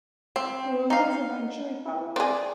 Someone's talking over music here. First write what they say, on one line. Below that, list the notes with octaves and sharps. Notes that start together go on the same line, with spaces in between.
The Romans eventually followed.
C4
D#4 F5
C4 G#4 D5